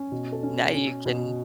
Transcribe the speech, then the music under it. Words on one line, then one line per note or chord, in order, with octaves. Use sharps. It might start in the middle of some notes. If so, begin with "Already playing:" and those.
Now you can
Already playing: C#4
B2
A4
C#4
C#4
B2